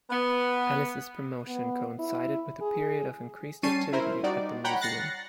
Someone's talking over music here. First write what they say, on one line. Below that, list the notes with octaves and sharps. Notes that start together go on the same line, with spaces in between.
Ellis's promotion coincided with a period of increased activity at the museum.
B3
B3
E4
G#4
G3 C#4 A5 C#6 C7 D#7
E4 A#4 C5
G3 D#4 F#4 D5
C#5 F#5 G5 A#5 B5
F#6 A6 A#6 C7 C#7